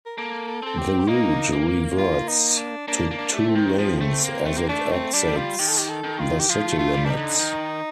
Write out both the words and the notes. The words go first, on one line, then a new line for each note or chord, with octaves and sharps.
The route reverts to two lanes as it exits the city limits.
A#4
A#3 A4
A4
C4 A4
G4
A#3 D#4
A#3
F4
D#4
D4
A#3 D4
A#3
D4
A3
C4
D#3
F3
A3
A#3
A3
A#3
A3 D4
C4
G3 D4
F4
D#3 G4
A4
G4
A4
D#3
F4
G4
F3 F4
A3
F4
G3
D4
D#4
D3
D#3